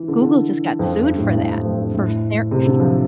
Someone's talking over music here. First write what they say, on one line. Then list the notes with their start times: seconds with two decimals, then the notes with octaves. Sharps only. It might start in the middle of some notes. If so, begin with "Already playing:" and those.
Google just got sued for that for sar sh
Already playing: E3
0.08 D3
0.21 D3
0.79 F2
0.99 G2
1.18 A2
1.36 A2
1.50 A2
1.65 F2
1.80 G2
1.94 A2
2.51 C3
2.65 D3
2.80 F3